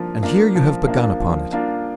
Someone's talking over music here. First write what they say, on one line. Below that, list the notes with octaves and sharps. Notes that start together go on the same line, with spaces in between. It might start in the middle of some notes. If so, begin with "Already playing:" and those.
And here you have begun upon it.
Already playing: F3 A#3 D4 F4
A#3 D4 F4
F3
A#3 D4 F4
F3
A#3 D4 F4